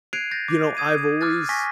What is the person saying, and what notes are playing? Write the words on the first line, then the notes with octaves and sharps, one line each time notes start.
you know, I've always
F#6 G#6 C7 D7 D#7 F7
G6 A6 A#6
D6
D#6 G#6 D#7
D6 F6 F#6 A6
G#5 C#6 A#6 B6